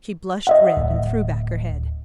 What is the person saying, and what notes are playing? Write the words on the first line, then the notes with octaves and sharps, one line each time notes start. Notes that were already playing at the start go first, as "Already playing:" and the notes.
She blushed red and threw back her head.
D#5 E5 F#5
D1